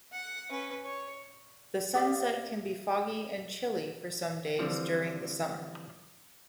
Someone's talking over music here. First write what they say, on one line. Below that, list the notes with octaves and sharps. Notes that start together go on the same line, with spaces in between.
The Sunset can be foggy and chilly for some days during summer.
F#5
C#4 B4
C#5
G4 D5 E5 F5
D3 E3 F3 G3 C4